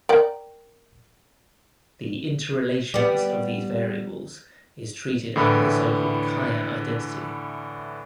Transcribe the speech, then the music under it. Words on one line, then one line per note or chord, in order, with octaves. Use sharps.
The interrelations of these variables is treated under the so-called Kaya identity.
A#4 D5 G5
G3 B3
A2 D3 E3 B5